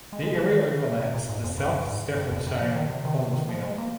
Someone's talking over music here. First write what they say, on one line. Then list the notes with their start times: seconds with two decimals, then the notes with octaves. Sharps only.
The area overlaps the South Staffordshire coalfield.
0.13 G#3
0.23 G#3
0.35 F3
0.46 D#3
1.00 C3
1.14 A#2
1.29 G#2
1.44 F2
1.58 G2
1.73 G2
1.88 G#2
2.17 G2
2.31 F2
2.47 G2
2.61 F3
2.75 D#3
2.90 C3
3.05 D#3
3.19 C3
3.33 D#3
3.49 F3
3.63 G#3
3.78 A#3